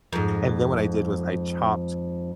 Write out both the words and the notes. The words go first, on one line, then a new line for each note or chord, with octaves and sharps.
And then what I did was I chopped
F2 G#2